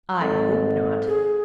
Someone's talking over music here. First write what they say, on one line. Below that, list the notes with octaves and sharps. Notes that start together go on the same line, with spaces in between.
"I hope not."
G#1 A4
G#4